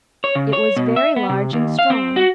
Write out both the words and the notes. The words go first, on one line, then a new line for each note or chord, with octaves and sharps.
It was very large and strong.
C#5
C#3
C#5
B2
E5
B3
C3
D#2
F5
C4
F#4